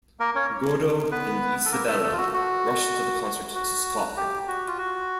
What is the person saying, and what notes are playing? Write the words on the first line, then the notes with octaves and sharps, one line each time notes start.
Gordo and Isabella rush to the concert to stop him.
A#3 A#4
C#4 C#5
B3 B4
A4
A#3 A#4
A3 A4
A3 A4
F4
F#4
F#4
F#4
G4
F#4
F4
F#4